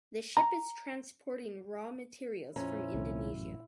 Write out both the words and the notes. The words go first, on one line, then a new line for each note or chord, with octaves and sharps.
The ship is transporting raw materials from Indonesia.
A#5
F2 A#2 C#4 E4 A#5
C2 C3 D#3
A1 F#2